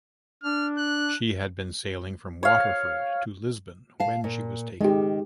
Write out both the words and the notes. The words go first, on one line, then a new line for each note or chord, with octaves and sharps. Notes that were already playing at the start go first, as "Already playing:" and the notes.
She had been sailing from Waterford to Lisbon when she was taken.
D4 F6
F#6
C#5 F5
F5 A5
A#2
D#3 G#3 G4